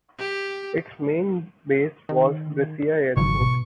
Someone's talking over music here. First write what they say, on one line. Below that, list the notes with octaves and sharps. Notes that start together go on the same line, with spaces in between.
Its main base was Brescia Airport.
G4
D#3
G#1 C#3 E3 F#3 C#6
B2